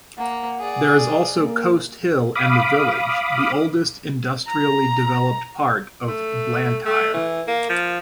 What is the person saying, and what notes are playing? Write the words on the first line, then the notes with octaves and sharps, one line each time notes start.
There is also Coatshill and the village, the oldest industrially developed part of Blantyre.
A#3 F#5
G#4 D5
A#3
F5 B5 D6 D#6
A#5
A3
A3
E3
A#3
F3